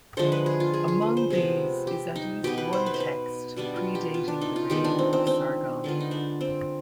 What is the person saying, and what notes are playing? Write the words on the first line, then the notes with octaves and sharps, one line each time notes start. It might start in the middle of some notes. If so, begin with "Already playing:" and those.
Among these is at least one text predating the reign of Sargon.
D3 F3 G#3 C5
B4
G#4
F4
G#4
G#4
B4
C5
C3 F3 G#3 B3 G#4
G4
D#4
B2 B3 G4
B4
C5
B4
C5
B4
B2 G3 B3 D4
F4
G4
F4
D4
D#4
F4
D#3 G#3 B3 G4
D4
C4
C4
C4
D3 G#3 B3 F4
D#4
D4
C4